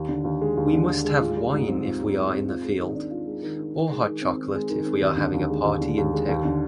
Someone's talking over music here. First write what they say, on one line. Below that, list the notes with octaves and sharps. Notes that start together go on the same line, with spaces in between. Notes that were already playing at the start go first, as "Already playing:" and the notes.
We must have wine if we are in the field, or hot chocolate if we are having a party in town.
Already playing: D#2
D3
D#2
G#3
D#2
D3
D#2
G#3
F4
G3
G#2
C4
F4
G3
G#2
C4
F4
G#3
D#3
D4
F4
G#3
D#3
D4
D#3
G#3
D#3
C4
D#3
G#3
D#3
C4
D#2
D3
D#2
G#3
D#2
D3
D#2
G#3
D#2
D3